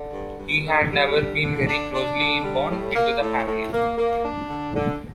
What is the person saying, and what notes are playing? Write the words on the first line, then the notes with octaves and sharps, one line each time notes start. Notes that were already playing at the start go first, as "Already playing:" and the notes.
He had never been very closely inbound into the family.
Already playing: D3
G2
G2
D3
G3
D3
D3
D4
D4
D3
G3
A2
A#3
A2
A2
A#3
A#3
D4
D3
D3